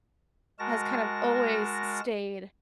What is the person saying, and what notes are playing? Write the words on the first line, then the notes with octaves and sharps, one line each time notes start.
has kind of always stayed
G#3 F#4 A#4 A5 A#6